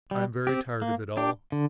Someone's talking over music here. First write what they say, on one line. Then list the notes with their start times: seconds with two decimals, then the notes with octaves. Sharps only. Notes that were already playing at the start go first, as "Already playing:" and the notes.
I am very tired of it all....
0.11 G3
0.47 C4 G4
0.82 A#3
1.17 D4 G4
1.52 D3